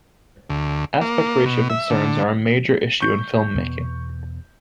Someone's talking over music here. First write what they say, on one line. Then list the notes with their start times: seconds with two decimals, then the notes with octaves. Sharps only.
Aspect ratio concerns are a major issue in film making.
0.50 D2
1.01 A#3
1.46 B2
1.70 E5
1.90 D3
3.00 C#6 G6
3.55 E2 B2 B3